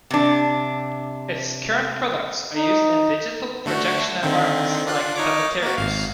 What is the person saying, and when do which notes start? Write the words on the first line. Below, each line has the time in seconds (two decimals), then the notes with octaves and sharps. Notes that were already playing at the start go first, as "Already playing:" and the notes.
Its current products are used in digital projection environments like planetariums.
0.11 C3 D4
2.53 D#4
3.66 D3 A3 F#4
4.23 D3 D#3 C4
4.87 D4 F4 F#6
5.16 D#4 C#5 D6
5.62 A#3 F#4
5.78 G#1 F5